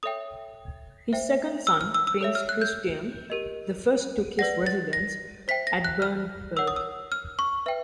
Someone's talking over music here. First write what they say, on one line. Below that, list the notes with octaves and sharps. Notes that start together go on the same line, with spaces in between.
His second son Prince Christian the First took his residence at Bernburg.
A4 C#5 E5 G5 D#6
C5 E5 G5
E6
F6
E6
E6
A4 C#5 E5
F6
F#6
G6
G4 A#4 D#5
B4 D5 F#5 A#6
A6
A#6
C5 E5 G5 B6
A#6
F#6
F6
A#4 C#5 F#5 E6
D#6
E6
F6
C#6
B4 E5 G5